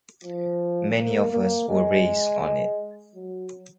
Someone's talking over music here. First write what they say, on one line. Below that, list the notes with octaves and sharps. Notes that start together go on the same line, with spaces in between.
Many of us were raised on it.
F3
A#3
A#3
G#3
F#3